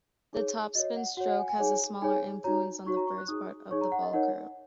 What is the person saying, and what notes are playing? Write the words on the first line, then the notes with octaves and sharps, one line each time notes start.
The topspin stroke has a smaller influence on the first part of the ball-curve.
D#4 G#4 C#5
F#4 C#5 D#5
F#5
F#4 C#5 F#5
F#5
G#5
G#5
D#4 G#4 C#5 G#5
D#4 G#4 C#5 G#5
D#4 F#4 C#5 A#5
D#4 F#4 C#5 C#6
A#5
C#6
F#6
D#4 G#4 C#5 D#6
D#4 G#4 C#5 C#6
A#5
F#5
D#5
D#4 A#4 C#5 F#5